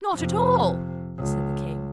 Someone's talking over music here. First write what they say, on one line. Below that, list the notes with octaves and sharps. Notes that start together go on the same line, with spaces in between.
'Not at all,' said the King.
F2 C3
C#2